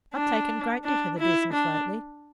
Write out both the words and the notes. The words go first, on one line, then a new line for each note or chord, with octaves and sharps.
I've taken greatly to the business lately.
D4
D4
E4
D4